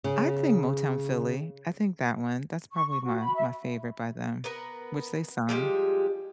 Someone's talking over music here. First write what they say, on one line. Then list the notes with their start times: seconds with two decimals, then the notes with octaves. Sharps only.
I think Motown Philly. I think that one. That's probably my my favorite by them, which they sung.
0.04 C#3
2.73 C#6
2.87 C#6
3.04 F#4
3.20 B5
3.34 E5
4.44 B3 A#4 B4
5.49 F3 G3 G#3 G4